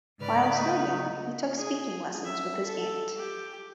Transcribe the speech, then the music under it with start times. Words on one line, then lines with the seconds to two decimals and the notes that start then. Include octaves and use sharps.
While still young, he took speaking lessons with his aunt.
0.20 G#2 C#3 B4 D5 F6
0.53 A3 D#4
1.56 G#4
2.24 E5
2.66 A4
3.17 G4